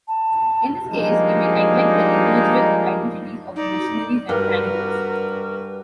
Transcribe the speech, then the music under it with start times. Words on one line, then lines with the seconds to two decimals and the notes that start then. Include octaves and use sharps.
In this case we may neglect the individual identities of the missionaries and cannibals.
0.08 A5
0.91 F3 G3 G#3 A#3 D4 D#4
3.56 D#4 D5
4.29 G2 F#4 A#4 B4